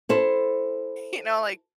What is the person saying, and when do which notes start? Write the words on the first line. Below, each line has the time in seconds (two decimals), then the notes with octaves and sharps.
you know, like,
0.09 E4 A4 C5